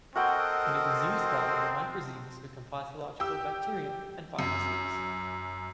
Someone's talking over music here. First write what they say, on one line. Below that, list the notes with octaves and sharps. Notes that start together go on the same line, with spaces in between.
In a diseased body, the microzymas become pathological bacteria and viruses.
C4 F#4 A4 A#4 D#5 F#5 G5
G4 G5 E6
F#2